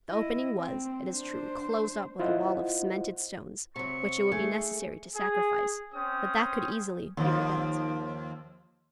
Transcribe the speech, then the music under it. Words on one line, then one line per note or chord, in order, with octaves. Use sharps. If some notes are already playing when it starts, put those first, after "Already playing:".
The opening was, it is true, closed up with a wall of cemented stones, which it would be necessary to sacrifice, but that could easily be rebuilt.
E4 D#5
C4
D4 C5
E4 F4 C5 D#5 F#5
C3 F#3 C#6
A3 G#4
G#4
C4 C#4 D#6
D#2 F3